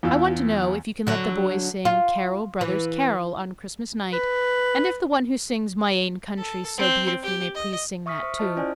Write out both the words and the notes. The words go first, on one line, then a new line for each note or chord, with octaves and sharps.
I want to know if you can let the boys sing 'Carol, brothers, carol,' on Christmas night, and if the one who sings 'My ain countree' so beautifully may please sing that too.
E2 F4 E6
D3 F#3
F4
E3
B4
A4
C4
G4
D#5
E5 C#6 D#6 F6 B6
C5 C#6
F4 C5 D#5 A5 D#6 F6
C#4 E4 C5 D5 G#5